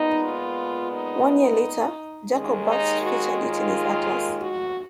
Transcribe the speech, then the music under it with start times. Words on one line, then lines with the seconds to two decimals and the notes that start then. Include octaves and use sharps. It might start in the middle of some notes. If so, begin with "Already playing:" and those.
One year later, Jakob Bartsch featured it in his atlas.
Already playing: A#2 G#3 B3 D#4
0.23 F4
0.92 D#4
2.31 D#2 D#3 G#3
2.67 D#4
3.02 F#4
3.37 F4
4.41 F#4